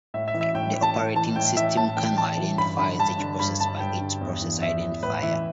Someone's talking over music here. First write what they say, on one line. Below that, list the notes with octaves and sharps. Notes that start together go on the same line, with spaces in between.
The operating system kernel identifies each process by its process identifier.
A2 E5
E5
E3
E5
A2 G5
E3
A5
A2
E3 A5
A2 G5
E3 E5
A2 A5
E3 G5
A2 A5
E3
G2 B5
D3 B5
G2 A5
D3
G2 B5
D3 A5
G2 G5
D3
E2
E3
E2 E5
E3
A2 B4
E3 E5